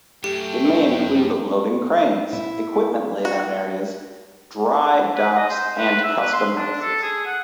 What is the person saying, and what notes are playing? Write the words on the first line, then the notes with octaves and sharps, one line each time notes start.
It may include loading cranes, equipment laydown areas, dry docks and custom houses.
F#2 A3 G4 G5
E4
F#4
B4
D#5
C5
B4
E5
B4
C6
D4
A4
G#4
F#5